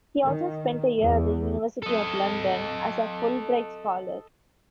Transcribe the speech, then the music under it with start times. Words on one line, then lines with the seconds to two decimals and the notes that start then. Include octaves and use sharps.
He also spent a year at the University of London as a Fulbright Scholar.
0.24 D#3
0.99 E2
1.83 A4 D#5